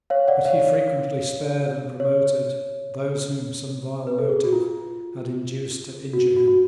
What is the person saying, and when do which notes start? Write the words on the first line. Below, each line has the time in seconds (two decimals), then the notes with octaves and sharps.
But he frequently spared and promoted those whom some vile motive had induced to injure him.
0.10 C#5 F5
0.28 D5 F#5
0.45 C#5 F5
2.00 C#5
4.07 B4
4.19 A4
4.29 G#4
4.44 F#4
4.53 F4
6.13 F#4
6.36 F#4
6.48 F#4